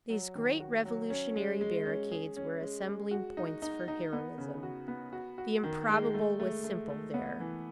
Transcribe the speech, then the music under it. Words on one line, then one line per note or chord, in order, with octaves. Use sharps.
These great revolutionary barricades were assembling points for heroism. The improbable was simple there.
F#3
D#3
F#4
F#3
C#4
G#3
G#3
C#4
G#4
C#4
G#3
G#3
F#4
D#4
D#4
D#4
B3
C#3
F#4
B3
F#4
F#4
D#3
G#3
A3
A3
A3
A3
B3
E3